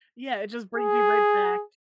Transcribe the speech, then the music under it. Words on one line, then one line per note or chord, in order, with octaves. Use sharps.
yeah, it just brings me right back
G#4